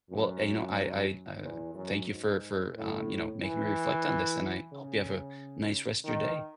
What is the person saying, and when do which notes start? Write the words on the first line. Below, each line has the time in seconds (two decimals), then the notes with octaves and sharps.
Well, uh, you know, I I, uh, thank you for for, um, you know, making me reflect on this, and I hope you have a nice rest of your day.
0.10 F#2
1.42 E2
1.75 F#2
2.08 G#2
2.74 A2
3.40 E3
4.72 C#3
6.04 D#3